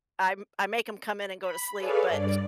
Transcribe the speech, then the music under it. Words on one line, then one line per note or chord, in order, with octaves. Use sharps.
I m I make 'em come in and go to sleep, but,
B5
G#4 A4 B4 C#5 D5 F5
G2 D5